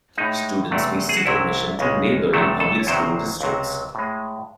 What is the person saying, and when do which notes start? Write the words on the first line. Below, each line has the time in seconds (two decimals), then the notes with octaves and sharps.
Students may seek admission to neighboring public school districts.
0.17 A2 G#3 D#4
0.71 E2 C3 F#3 A3
1.09 G#4
1.17 F#4
1.26 C2 C3 F#3 E4
1.79 C#2 C#3 G#3
2.33 E2 C3 D#3 F#3 A3 A4
2.60 A4
2.80 C#5
2.87 E2 C3 D#3 F#3 C5
3.41 C#2 C3 F#3
3.95 A2 G#3